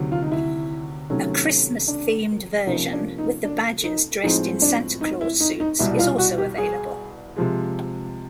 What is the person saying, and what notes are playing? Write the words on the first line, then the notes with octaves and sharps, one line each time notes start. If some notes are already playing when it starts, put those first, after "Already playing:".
A Christmas-themed version, with the badgers dressed in Santa Claus suits, is also available.
Already playing: D2 C3 D#3 F#3
F4
D#4
E4
C3 D#3 F#3 A3 C#4
D4
C3 F3 A#3 C#4 D#4
D4
D#4
D4
D#4
A2 F3 G#3 C4 D#4
D4
D#4
E4
D#4
D#4
C2 B2 G3 E4
F4
F#4
G4
G#4
C3 F3 G#3